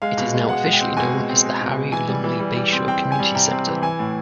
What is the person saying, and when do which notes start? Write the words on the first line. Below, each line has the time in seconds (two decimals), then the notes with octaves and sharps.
It is now officially known as the Harry Lumley Bayshore Community Centre.
0.02 G#3 F5
0.17 B2
0.34 G#3
0.49 G#3 F#5
0.65 G#3
0.73 G5
0.81 C4
0.97 B2 G#5
1.13 G#3
1.29 C4
1.44 G#3
1.61 B2
1.76 G#3
1.92 E3 G#5
2.08 G3
2.24 E3
2.39 G3
2.56 G3
2.72 C4
2.88 C4 G5
3.03 C4
3.12 G#5
3.19 G3
3.35 C3 G5
3.51 C4
3.67 E3
3.82 E3 G#5
3.99 A2